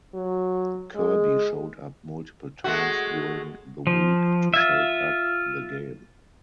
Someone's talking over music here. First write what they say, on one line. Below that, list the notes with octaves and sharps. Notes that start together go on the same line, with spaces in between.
Kirby showed up multiple times during the week to shake up the game.
F#3
G#3
G#3 A3 F#4
F3
F4 E5